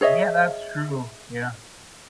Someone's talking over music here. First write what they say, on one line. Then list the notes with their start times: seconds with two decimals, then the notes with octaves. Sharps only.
Yeah, that's true. Yeah.
0.01 G#4 C#5 D#5 E5